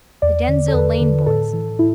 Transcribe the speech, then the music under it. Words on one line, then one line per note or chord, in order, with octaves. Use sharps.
The Denzille lane boys.
E2 D5
D3
A4
E2 B4
D3
A2 A4
E3
A2 E4